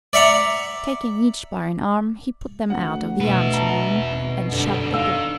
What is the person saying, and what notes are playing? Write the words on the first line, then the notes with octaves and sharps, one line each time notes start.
Taking each by an arm, he put them out of the anteroom, and shut the door.
D5 E5 F#5 A#5
D2 F#5
B2 B3 E4
A5 A#5
G#1 B2
F#2 D3 G3
D#3 F5 E6